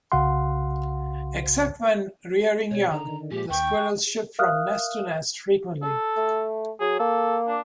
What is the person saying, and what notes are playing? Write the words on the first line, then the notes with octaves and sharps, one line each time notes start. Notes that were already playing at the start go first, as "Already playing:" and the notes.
Except when rearing young, the squirrels shift from nest to nest frequently.
C2 C#3 F#4 F5 F#5 C6
B2 C#5
D3 D#3 A#5
A#2 F3 G#3 G4
D#2 G5 C#6
A#4 E5 F5 D#6 F6 F#6
A4
A3
F#3 G#4
A#3 A4
D4